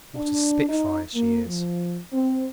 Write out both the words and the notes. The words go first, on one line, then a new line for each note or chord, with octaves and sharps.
What a spitfire she is!'
D4
D#4
A#3
F3
C4